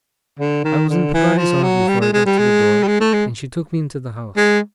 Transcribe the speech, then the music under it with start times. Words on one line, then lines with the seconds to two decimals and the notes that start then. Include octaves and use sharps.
I was in Peggotty's arms before I got to the door, and she took me into the house.
0.40 D3
0.64 D#3
0.89 D3
1.14 E3
1.38 F3
1.64 F#3
1.89 G3
2.01 G#3
2.14 G#3
2.26 G3
2.39 G#3
2.84 G3
2.88 G#3
3.01 A3
3.14 G#3
4.37 G#3